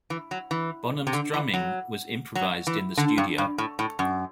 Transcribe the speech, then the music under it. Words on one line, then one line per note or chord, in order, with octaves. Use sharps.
Bonham's drumming was improvised in the studio.
E3
F#3
E3
C3
D3
E3
F#3
F#3
E3
D3
G2
G2
A2
A2
F#2